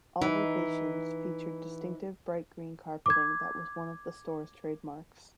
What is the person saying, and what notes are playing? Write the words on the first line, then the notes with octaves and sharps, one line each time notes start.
All locations featured distinctive bright green carpeting that was one of the stores trademarks.
E3 D#4
D6 G#6